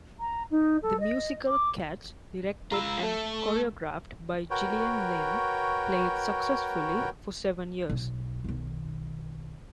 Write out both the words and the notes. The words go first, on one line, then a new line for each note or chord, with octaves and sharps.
The musical "Cats" directed and choreographed by Gillian Lynne played successfully for seven years.
A#5
D#4
A4
D#5
D6
G#3 F4 A#5 B5 E6
A3 A4
F#4 A#4 B4 C#5 G5
B1
B1 D#3